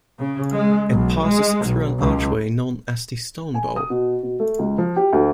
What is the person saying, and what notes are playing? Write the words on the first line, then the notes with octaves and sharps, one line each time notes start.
It passes through an archway known as the Stonebow.
C#3
G#3
B1
G#3
B1
C#2
G#5
D#6
B2
B2
A3
C#2
F3
G4
D2